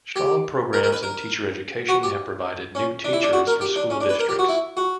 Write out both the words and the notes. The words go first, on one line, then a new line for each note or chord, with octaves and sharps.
Strong programs in teacher education have provided new teachers for school districts.
G4
A#4
A#4
B4
A#4
F#4
G4
C#4
D4
E4
D4
F#4
A#4
G4
D4
C#4
D4
B4
A#4
G4
F#4
E4
F#4